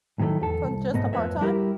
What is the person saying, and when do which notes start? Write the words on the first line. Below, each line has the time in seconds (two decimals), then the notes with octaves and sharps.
From just a part-time? uh
0.20 A2 D#3 F#3 A3
0.41 E2 A4
0.64 C2
0.93 B1 G#2 A3 B3 D#5
1.13 F2 F3 B3 B4 C#5 E5
1.41 G3 E4 F#4 G4 A#4